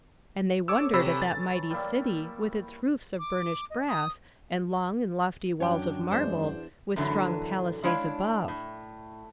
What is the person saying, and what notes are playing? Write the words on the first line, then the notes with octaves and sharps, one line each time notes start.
And they wondered at that mighty city, with its roofs of burnished brass, and long and lofty walls of marble, with strong palisades above.
A4 C#5 D6 E6
C3 E3 F#3 E4 B5 E6
A6
G3 A#3 E4
D6
D#5
D#6
F#2 D4 C#5 G5
E2 G#3 D4 C5
F#2 A2 D3 E3 F#3
G#3 D4 E4 C#5 F5
A2